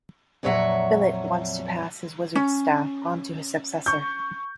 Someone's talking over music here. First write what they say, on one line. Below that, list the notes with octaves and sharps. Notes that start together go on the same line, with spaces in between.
Billet wants to pass his wizard's staff on to his successor.
F2 A#2 F#3 C#5 E5 F#5
C#4
C#6 G6